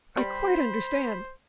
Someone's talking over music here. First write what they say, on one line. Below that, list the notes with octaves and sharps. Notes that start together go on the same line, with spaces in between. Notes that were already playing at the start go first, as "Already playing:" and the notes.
I quite understand.
G3 C5 B5